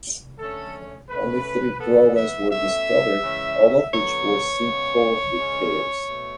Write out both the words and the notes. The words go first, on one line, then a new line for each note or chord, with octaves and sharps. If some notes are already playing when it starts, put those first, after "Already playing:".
Only three problems were discovered, all of which were simple repairs.
D3 A3 C#4 A4
B2 A3 C#4 B4
E3 B3 A4
E5
B2 A3 C#4 E5
C#3 E3 G#3 C#4
D3 F#3 B3 C#5
C#3 G#3 B3
C#3 G#3 C#4
B2 A3